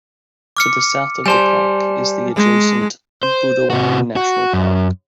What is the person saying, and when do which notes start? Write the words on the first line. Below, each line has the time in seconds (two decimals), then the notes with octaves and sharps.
To the south of the park is the adjacent Budawang National Park.
0.57 D6 F6 C#7
1.26 G3 C5 G#5 A5
2.36 G#3
3.23 C5
3.70 C3 F#4
4.16 F#4
4.54 F#2